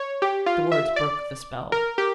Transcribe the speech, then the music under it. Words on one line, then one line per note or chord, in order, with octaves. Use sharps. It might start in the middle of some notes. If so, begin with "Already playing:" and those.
The words broke the spell.
Already playing: C#5
G4
F4
E5
D5
A#4
G4